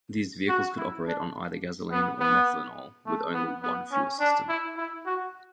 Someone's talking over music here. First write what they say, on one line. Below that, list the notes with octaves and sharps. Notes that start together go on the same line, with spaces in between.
These vehicles could operate on either gasoline or methanol with only one fuel system.
F#4
E4
D4
B3
B3
A3
B3
B3
C#4
D4
E4
E4
F#4